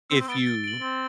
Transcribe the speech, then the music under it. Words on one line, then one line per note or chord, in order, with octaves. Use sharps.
if you
C4 E6
C4
B3 A6 D7 G7
A6
D7 F#7
C4 A6